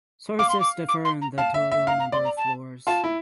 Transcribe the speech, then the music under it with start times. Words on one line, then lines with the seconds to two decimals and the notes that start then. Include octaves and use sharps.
Sources differ on the total number of floors.
0.39 F5 D6
0.49 C6
0.60 D6
0.89 D6
1.05 C6
1.22 A#5
1.38 F5 A5
1.54 E5
1.71 E5
1.87 F5 A#5
2.00 A#5
2.12 D5 C6
2.25 A#5
2.37 A5
2.87 F4 A5
3.04 E4